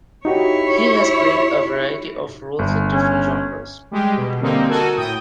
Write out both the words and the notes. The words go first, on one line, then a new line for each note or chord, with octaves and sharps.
He has played a variety of roles in different genres.
D#4 E4 F#4 G4 C#5
G1
C#4
G3 G#3 G4
B2
D3 G3 A#3 C4 D#4
F#4 A4 A#4 G#5
A2 G5 D#6